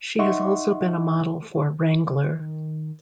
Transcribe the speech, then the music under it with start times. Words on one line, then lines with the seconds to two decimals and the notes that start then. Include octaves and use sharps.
She has also been a model for Wrangler.
0.19 D#4 D#5 E5 F#5 C6 C#6
2.39 D#3